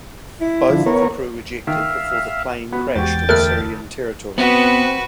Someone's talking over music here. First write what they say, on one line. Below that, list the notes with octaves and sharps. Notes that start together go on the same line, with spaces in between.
Both of the crew ejected before the plane crashed in Syrian territory.
E4
D3 F3
B3 A#4 C#5
D#3 E5 F5
B3 F#4
E2 G#2 F#4 G4 G5 A6
D2 A4 A#4 F6 F#6
B3 C4 F#4 B4